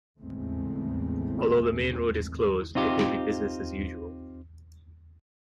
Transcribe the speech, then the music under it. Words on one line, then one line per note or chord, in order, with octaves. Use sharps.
Although the main road is closed, it will be business as usual.
A1 E2 C#3 G#3 A3 C4
C4 D#4 F4 G4